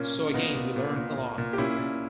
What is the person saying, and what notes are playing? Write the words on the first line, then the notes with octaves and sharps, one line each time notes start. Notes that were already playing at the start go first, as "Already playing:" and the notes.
So again, we learned a lot.
Already playing: A#2 A#3 C#4
A#2
A#2 B3 D#4
A#2
A#2
A#2
A#2
A#2
G4
A#2 C#4 E4
A#2